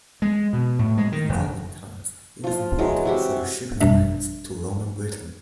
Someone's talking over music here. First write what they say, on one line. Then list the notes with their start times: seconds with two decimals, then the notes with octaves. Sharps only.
In Roman times, it was important for the shipping lanes to Roman Britain.
0.22 G#3
0.53 B2
0.79 A2
0.98 G#3
1.12 D#3
1.29 F1
2.44 F3 F4
2.79 E3 F#3 G#3
3.05 C3 F#4 G4
3.80 G#1 F#2 B2 G3 D4 E5